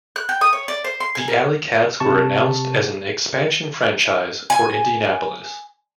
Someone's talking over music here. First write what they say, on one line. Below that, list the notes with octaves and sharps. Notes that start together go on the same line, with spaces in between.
The Alley Cats were announced as an expansion franchise for Indianapolis.
F#6
G5
D#6
C#5
D5
C5
C6
G#5
A#4
C3 A5 C#6
G#5